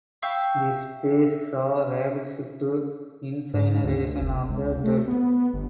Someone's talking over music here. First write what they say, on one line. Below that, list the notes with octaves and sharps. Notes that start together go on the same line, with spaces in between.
This phase saw rapid shift to incineration of the dead.
E5 F5 G5 C#6
G#2
D2
F#1
C#2
A3
B3
G1